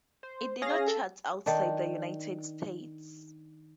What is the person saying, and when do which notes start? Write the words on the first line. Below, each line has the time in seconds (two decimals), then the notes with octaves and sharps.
It did not chart outside the United States.
0.23 C5
0.62 C#4 G#4 F5 A#6
0.87 A4
1.46 D#3 D4